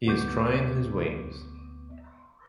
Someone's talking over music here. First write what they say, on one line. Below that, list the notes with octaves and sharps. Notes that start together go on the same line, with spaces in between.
He is trying his wings.
D2 B3 C#6 D6 G6